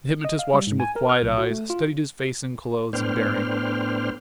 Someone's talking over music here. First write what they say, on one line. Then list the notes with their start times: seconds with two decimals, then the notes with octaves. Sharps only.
The hypnotist watched him with quiet eyes, studied his face and clothes and bearing.
0.25 D#5
0.39 F5
0.54 G3
0.67 G#2
0.80 G#5
0.96 A#4
1.09 F6
1.23 B1
1.38 F#4
1.51 A3
1.70 F4
2.93 A2 B3 D4 C5 G5 F6